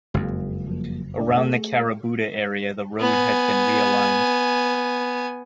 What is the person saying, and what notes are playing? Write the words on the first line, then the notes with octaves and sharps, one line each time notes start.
Around the Carabooda area the road has been realigned.
F#1 F2 G#3 A#3
F3 G3 A#3
A3 D4 D5
A3 G#4
B3 G#5